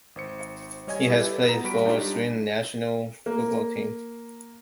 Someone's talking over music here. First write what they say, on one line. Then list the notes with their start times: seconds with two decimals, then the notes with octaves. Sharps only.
He has played for the Sweden national football team.
0.16 G#1 C5 C#7
0.87 G3 C#5 D#5 G#5 G#6
1.09 E4 G4 A4 B4 E5
1.44 B3 A#5
1.64 G3 F#4 B5 B6 D7
1.85 G3 D4 D#4 F4 G4 C#5
3.26 A#3